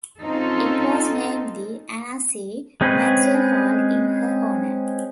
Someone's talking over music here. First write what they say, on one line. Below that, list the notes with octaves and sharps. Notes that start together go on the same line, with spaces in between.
It was named the "Anna C. Maxwell Hall" in her honor.
C4 C#4 D#4 F4 A4
G#3 C4 C#4 G#4 B4